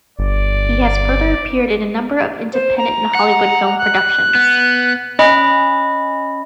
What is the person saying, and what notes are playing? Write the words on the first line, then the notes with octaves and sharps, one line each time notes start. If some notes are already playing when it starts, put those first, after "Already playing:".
He has further appeared in a number of independent and Hollywood film productions.
G1 D5
C5
A#5
F#5
F#6
B3
C#4 D#5 B5